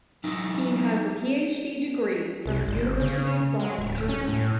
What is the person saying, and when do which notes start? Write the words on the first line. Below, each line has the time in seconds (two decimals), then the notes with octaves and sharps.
He has a Ph.D. degree from the University of Bonn, Germany.
0.24 F#3 D#4 E4
2.46 C2
2.67 G1
3.00 C#3
3.60 G#3
3.78 D1
4.09 C#4
4.28 A2